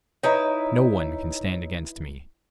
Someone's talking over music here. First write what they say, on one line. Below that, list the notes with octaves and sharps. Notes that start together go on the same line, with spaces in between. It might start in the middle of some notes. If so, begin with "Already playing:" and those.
No one can stand against me.
D#4 E4 B4 C#5 D#5 A#5